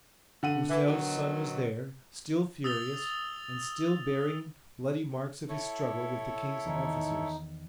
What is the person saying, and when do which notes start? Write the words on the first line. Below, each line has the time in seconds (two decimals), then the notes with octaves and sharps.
Broussel's son was there, still furious, and still bearing bloody marks of his struggle with the king's officers.
0.43 D3 F#5 D#7
0.69 E3
0.87 B2 D#3 F#3
2.64 D#6 E6 A6 F7 G7
5.49 E4 A4 C#5
6.66 E2 D#3 D#4